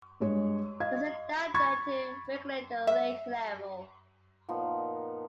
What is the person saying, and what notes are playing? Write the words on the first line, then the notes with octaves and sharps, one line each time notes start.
There is a dam there to regulate the lake level.
G2 G#3 C#5
D#5 F5 G#6
B5 C#6 G#6 A6
E5
A#2 F3 B3 D#4